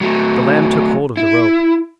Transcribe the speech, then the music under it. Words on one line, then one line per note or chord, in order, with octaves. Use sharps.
The lamb took hold of the rope.
F#3 A3
E4